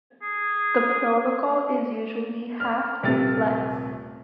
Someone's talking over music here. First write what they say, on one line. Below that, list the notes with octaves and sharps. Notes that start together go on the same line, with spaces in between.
The protocol is usually half-duplex.
G#4
F6
D#1 C3 A3 F6 A6